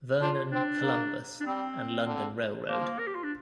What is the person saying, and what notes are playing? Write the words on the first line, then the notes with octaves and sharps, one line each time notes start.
Vernon, Columbus and London Railroad.
D4 F4
C4 D4
A#3
D4
G3 C4
D3
F3 A#3
A#4
G4
F4
D4